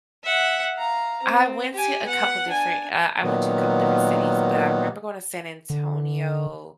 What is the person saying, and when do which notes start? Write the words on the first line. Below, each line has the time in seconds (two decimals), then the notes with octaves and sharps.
I went to a couple different, uh, I went to a couple different cities, but I remember going to San Antonio.
0.24 E5 F#5
0.75 F5 A#5
1.23 C4
1.73 G4 G#5
2.04 B3 F#5
2.47 D4 G#5
3.23 A#2 D#3 F#3 B3
5.70 D3